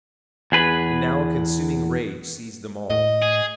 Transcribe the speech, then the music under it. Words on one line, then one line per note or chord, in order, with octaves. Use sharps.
And now a consuming rage seized them all.
E2 G#4 B4
A2 D#5
G#4